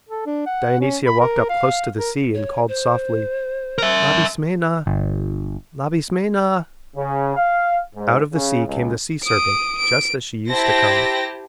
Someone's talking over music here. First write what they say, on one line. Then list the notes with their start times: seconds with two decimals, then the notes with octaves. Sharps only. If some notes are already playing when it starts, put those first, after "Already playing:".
Dionysia walked up close to the sea and called softly, "Labismena, Labismena." Out of the sea came the sea serpent just as she used to come.
0.09 A4
0.26 D4
0.47 F#5
0.80 C#4
1.07 B5
1.20 A#4
1.49 F5
1.98 A#4
2.35 C#5
2.68 C5
3.78 A#4 E5
4.86 G1
6.97 C#3
7.37 F5
7.95 G#2
8.33 C#3
8.66 C#2
9.24 D#6 D7
9.79 D7
10.50 E4 G4 C5 A5 A#6